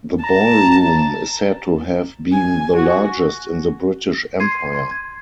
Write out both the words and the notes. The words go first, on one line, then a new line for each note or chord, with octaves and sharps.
The ballroom is said to have been the largest in the British Empire.
A5 A#5
G#5
F#4
C6 G#6 C7 D#7
C6
G#6